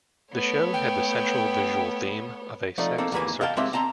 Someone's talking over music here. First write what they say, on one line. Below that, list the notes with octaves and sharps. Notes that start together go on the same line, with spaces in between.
The show had the central visual theme of a "sex circus".
A3 B3 C#5
G5
F3 A3 C4 D#4 D5
A#3 C4 D#4 A4
D#2 G#2 E3 A#3 B4 G#5
D#5 F5 G5 A5
G#3 A#3 C4 G4 E5
C4 A5 A#5 C6